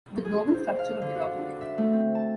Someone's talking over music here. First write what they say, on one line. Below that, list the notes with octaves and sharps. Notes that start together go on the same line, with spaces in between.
The global structure of the document.
G#4
C5
F5
D3
F#4
D4
E5
A3
C4
A5